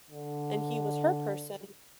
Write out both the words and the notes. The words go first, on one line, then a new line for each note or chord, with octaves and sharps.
and he was her person.
D3